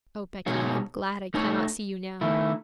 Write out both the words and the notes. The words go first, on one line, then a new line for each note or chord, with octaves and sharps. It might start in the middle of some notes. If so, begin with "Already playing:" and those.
O Becky, I am glad I cannot see you now!'
B2 G#3 D#4 F#4 C#5
A3 D#4 A4 C#5
D#3 A3 E4